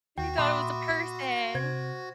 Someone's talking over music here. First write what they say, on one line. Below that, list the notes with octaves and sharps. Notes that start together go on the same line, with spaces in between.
he thought it was a person.
D#2 F#4 G5
A#2 E5 B5 C6 D6 D#6
C3 C5 G#6